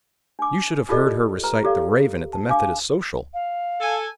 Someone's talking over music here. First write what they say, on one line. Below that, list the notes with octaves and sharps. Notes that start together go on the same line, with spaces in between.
You should have heard her recite "The Raven," at the Methodist Social!
D4 D6
D#4 F4 G4 A4 D5 D#5
B4 A#5
G4 A4 D5 F5
A5
D4 F5 D6
F5
A4 G#5